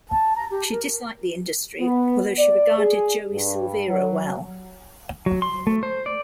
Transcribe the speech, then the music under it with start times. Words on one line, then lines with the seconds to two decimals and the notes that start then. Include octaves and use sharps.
She disliked the industry, although she regarded Joey Silvera well.
0.10 A5
0.35 A#5
0.50 G4
0.71 A#4
1.79 B3
2.37 D5
2.77 G#4
3.32 G2
3.88 F#3
5.26 F#3
5.42 C6
5.67 A3
5.83 C5
6.06 D5